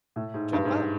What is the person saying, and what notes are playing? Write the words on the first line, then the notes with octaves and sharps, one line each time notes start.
"Jump up."
A2
G#2
G2
G#2